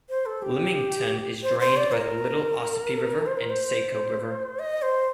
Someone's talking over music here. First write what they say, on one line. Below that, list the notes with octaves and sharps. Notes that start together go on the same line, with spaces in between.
Limington is drained by the Little Ossipee River and Saco River.
C5
A4
G4
C5
C5
D5
A#4
C5
A#4
C5
D#5
C5